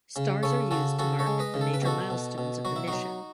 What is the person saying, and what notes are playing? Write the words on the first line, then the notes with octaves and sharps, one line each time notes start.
Stars are used to mark the major milestones of the mission.
C#3
C#3 A4 C#5
C#3 F#4 A4
C#3 F#4 A4
A4 C#5
G#3
B4 D#5
C#3
A4
B4
B2 F#4 A4
B2
B2
F#3 F#4
E4
D#4 F#4
F#3